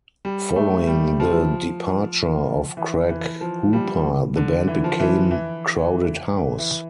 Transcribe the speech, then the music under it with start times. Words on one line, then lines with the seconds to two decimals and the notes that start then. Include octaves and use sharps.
Following the departure of Craig Hooper the band became Crowded House.
0.25 G3
0.56 A3
0.87 G3
1.20 F3
2.77 E3
3.10 E3
3.41 F3
3.73 G3
4.36 D3
4.68 E3
4.84 F3
5.00 E3
5.31 E3
6.58 E3